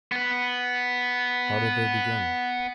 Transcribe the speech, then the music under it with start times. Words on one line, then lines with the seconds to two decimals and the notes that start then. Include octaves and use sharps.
How did they begin?
0.12 B3 B4